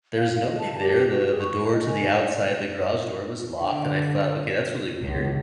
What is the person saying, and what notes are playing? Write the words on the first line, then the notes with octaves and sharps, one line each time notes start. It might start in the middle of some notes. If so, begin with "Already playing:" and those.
There's nobody there, the the door to the outside, the garage door was locked, and I thought, "Okay, that's really weird."
F5
D#5
A5
G4
F#4
G#4
C#6
D#5
G#5
D5
D3
C#2